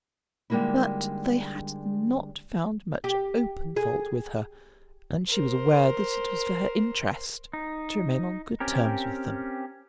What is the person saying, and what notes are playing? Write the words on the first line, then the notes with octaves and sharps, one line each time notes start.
But they had not found much open fault with her, and she was aware that it was for her interest to remain on good terms with them.
D3 G3 G#3 A#3 D#4 E4
G4
G#4
A#4 C5
D#4
C4 C#4 G4 A#4